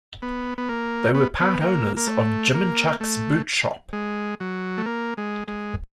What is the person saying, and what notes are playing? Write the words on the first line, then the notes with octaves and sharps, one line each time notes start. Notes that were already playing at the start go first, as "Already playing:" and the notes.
They were part owners of Jim and Chuck's Boot Shop.
B3
B3
A#3
B3
B3
A#3
A#3
A3
A#3
A3
G#3
F#3
A3
A#3
G#3
G#3